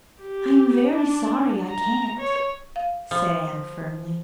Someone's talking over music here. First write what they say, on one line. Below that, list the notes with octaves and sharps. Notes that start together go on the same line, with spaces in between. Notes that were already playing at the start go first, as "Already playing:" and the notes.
"I am very sorry I can't," said Anne firmly.
G4
D4
A#5
C#5
F5
F3